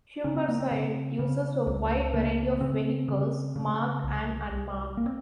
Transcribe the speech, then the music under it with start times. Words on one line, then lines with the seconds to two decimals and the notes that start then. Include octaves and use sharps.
Humberside uses a wide variety of vehicles, marked and unmarked.
0.24 C#3 C#4
0.37 C4
0.49 A#3
0.60 C4
0.71 C#3
1.19 C#3
1.67 C#2
2.14 C#3 A#3
2.61 C#3 C4
3.08 C#3
3.56 C#3
4.04 C2
4.51 C2
4.97 A#3
5.06 C4